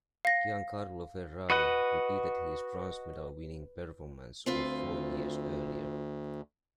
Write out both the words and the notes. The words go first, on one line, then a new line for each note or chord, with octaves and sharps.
Giancarlo Ferrari repeated his bronze medal-winning performance of four years earlier.
F5 A#6
F#4 B4 D#5 F#5
D2 C4 F4 B4